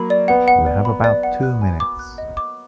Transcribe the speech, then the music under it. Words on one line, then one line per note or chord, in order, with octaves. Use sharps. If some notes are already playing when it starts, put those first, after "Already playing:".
You have about two minutes.
Already playing: F#3 A#3 B5
D5
B3 F#5
F#5
D5
B5
D5
F#5
F#6
G#5
D6
F#6
D#5
D6